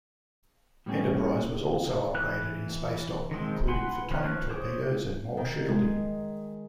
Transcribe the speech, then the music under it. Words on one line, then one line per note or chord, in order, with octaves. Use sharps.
Enterprise was also upgraded in space dock, including "photonic" torpedoes and more shielding.
A2 G3 A3 A#3 C#4 G#4
E3 F#6
D#3 F3 G#3 C4
B4 F#5 G#5 B5 C6
F3 B4 C#5 F6 F#6
C5 C#5 D6 D#6
D#3
G#3